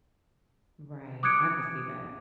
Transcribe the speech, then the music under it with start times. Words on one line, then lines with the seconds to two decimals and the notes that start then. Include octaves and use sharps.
Right. I could see that.
1.23 D6 D#6 F#6 G#6 C#7 D7